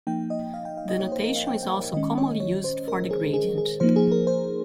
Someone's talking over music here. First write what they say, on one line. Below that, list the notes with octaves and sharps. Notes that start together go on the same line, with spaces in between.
The notation is also commonly used for the gradient.
F3 A#3 D#4 G5
D#5
F5
G5
F5
D#5
C#5
C5
A#4
F5
G5
G5
D#3 G#3 C#4 D#5
C#5
C#5
C5
A#4
G#4
G#4
G#4
F3 A#3 D#4 C5
G#4
A#4
C5